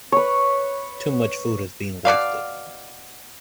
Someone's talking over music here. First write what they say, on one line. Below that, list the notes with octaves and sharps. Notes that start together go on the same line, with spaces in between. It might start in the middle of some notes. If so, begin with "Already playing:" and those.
Too much food is being wasted.
B4 C#5
B2 B3 D5 F5